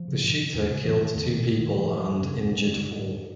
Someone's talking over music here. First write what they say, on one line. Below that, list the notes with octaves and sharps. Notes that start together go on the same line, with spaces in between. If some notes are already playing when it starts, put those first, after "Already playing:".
The shooter killed two people and injured four.
Already playing: F3
C#3
G#2
E2
C#3
F2 E3
D3 D#3
E2 D#3
B2 D#3
G#2 D3
D#3
G#2 E3
F3
F#2
C#3
F2
D3
F#2 G3
D3
G#2